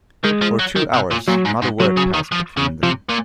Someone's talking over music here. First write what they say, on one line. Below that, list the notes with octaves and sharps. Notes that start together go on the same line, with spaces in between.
For two hours not a word passed between them.
D#3 G#3
F3
F#3
D#3
C3
A#2
A#2 F#3
G#2
G#2
C3 F#3
C#3
D#3
F3
C#3
C3 F3
A#2